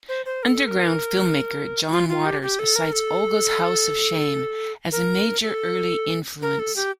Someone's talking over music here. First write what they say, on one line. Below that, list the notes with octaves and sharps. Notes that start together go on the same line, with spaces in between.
Underground filmmaker John Waters cites "Olga's House of Shame" as a major early influence.
C5
C5
A#4
A4
A#4
F4
F4
G4
G4
A4
A#4
A4
A#4
A4
A#4
A4
G4